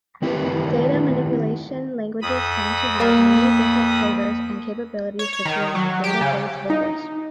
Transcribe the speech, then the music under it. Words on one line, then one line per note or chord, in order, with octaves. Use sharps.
Data manipulation languages tend to have many different flavors and capabilities between database vendors.
D#3 C4 E4 G4 B4
F2 B5 D#6
A#3
C#5
C#5
D#3
F#3
G4
C#3
D#4